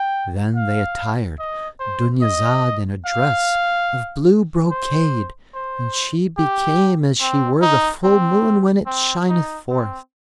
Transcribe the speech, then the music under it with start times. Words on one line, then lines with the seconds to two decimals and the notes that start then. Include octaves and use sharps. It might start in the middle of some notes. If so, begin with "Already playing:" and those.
Then they attired Dunyazad in a dress of blue brocade, and she became as she were the full moon when it shineth forth.
Already playing: G5
0.56 F5
1.39 D#5
1.79 C5
2.21 D#5
3.05 F5
4.71 C5
5.54 C5
6.37 G4
7.21 C4
7.61 D#4
8.04 C4
8.86 C4
9.29 D#4
9.70 C4